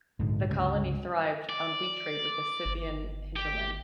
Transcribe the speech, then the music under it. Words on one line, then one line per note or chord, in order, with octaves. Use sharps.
The colony thrived on wheat trade with the Scythian hinterland.
A#1 G#2 D3 G#3
C#2 G2 D3
D5
G1
G4